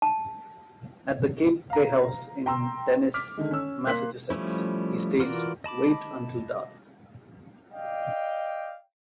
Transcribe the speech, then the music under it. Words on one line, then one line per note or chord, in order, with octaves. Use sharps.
At the Cape Playhouse in Dennis, Massachusetts, he staged "Wait Until Dark".
A5
F5 A#5
G5 A#5 C6 E6
D6 F6 B6
D3 D#3 G#3
C#4 E6
A#3 C6 F#6 B6 F#7
F3 G3 A3 C#4 E4
E3 F4 F#4 A#4 D5
D#5 A5 B5 D6
D5 D#5 F5 G5